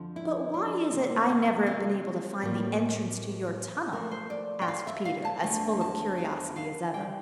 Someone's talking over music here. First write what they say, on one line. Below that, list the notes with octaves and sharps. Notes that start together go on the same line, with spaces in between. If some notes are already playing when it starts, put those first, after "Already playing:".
"But why is it I never have been able to find the entrance to your tunnel?" asked Peter, as full of curiosity as ever.
Already playing: F2 D3 F3
E4
D4
C3 E3 A#3 C4
A#3
C4
A#3
C4
A2 E3 G3 A#3
A#2 F3 A3 A#4
C5
D5
G5
F5
E5
F5
A5
E2 D3 A3 A5
A5
F5
F5
E3 G3 G5